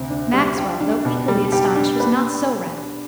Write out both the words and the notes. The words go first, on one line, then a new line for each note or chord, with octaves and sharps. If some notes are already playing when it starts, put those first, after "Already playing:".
Maxwell, though equally astonished, was not so rapt.
Already playing: D2 C3
D4
G3
G4
D4
B2
G3
G4
D4
B4